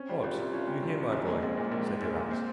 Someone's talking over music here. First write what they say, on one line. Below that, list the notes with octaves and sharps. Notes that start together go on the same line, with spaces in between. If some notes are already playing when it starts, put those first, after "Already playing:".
"What! you here, my boy?" said the rat.
Already playing: C4 C#4
G3
C2 F4
C3
C#4 F4
G3
C2
C3
A#1 C#4
G#3 A#3
A#1 C4
A#2
G#3
A#1 A#3
G#3
A#1
A#2
A#3 C4